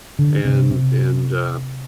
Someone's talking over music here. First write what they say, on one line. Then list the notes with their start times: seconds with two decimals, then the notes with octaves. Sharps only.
and and, uh
0.19 D3
0.45 C3
0.71 C3